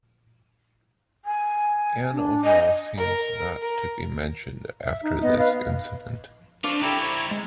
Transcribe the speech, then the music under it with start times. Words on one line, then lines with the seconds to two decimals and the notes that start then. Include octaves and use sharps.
Anne Overall seems not to be mentioned after this incident.
1.25 G#5
2.12 D4
2.45 D#5 G#5
2.97 A#4
3.61 A#4
4.84 E5
5.03 D#4
5.22 B3 D#5
5.38 B4 F5
6.64 E3 D4 F4 C5 D5 F5 C#6
6.82 C#3 G3 E4 G4 A4 A#5 D6
7.01 C5 C#6 G#6
7.31 G#3